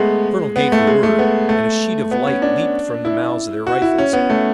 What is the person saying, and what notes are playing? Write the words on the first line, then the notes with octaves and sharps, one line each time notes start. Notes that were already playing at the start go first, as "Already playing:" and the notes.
The colonel gave the word, and a sheet of light leaped from the mouths of their rifles.
Already playing: G#3 A3 B3
B3
A3
G#3
A3
B3
A3
B3
C#4
D4
E4
F#4
E4
C#4
B3
A3